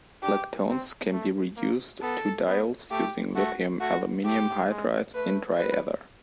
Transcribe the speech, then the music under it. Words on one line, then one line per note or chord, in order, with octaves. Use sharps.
Lactones can be reduced to diols using lithium aluminium hydride in dry ether.
D4 G4
C4
A3
A#3
B3 A4
B3
A3 G4
A3 F#4
A3 F#4
A3 G4
G#3
A3 B4
B4